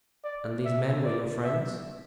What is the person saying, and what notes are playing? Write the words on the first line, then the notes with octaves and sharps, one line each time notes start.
"And these men were your friends?"
D5
E5
D5
E5